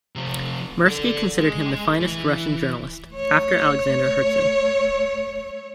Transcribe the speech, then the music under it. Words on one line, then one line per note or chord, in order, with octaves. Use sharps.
Mirsky considered him the finest Russian journalist, after Alexander Herzen.
C3 F3
A4 D5
G#3
E3
A3 C#5